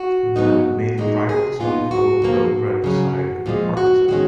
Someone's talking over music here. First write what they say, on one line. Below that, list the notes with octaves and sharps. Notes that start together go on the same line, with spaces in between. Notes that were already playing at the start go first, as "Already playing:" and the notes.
Their main rivals are fellow Belgrade side Partizan.
Already playing: F#4
C#3 F#3 B3 D#4
A#2 G#3 D#4 F#4
G#4
A#2 G#3 B3 D#4 F4
F#4
A#2 F3 A#3
C#3 F#3 C#4
A#2 F3 G#3 C#4 F4
F#4
D#3 G#3 C#4 F#4